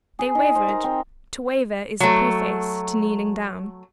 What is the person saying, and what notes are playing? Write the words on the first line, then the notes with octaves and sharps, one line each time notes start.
They wavered--to waver is the preface to kneeling down.
G#4
D#4
C5
A#4
C4
F#3 A3